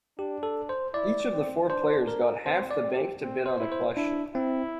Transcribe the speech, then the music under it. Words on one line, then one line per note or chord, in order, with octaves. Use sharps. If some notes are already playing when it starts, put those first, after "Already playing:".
Each of the four players got half the bank to bid on a question.
D4 G4
A4
C5
E4 D5
C4
D4 C5
A#4
C4 C5
D5
C4
G4
C4
C5
E4
C5
D4 E4
C4 E4